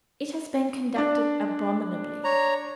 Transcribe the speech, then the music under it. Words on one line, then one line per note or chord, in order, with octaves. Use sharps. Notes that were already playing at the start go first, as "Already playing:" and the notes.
It has been conducted abominably.
D4 D5
C#5 A#5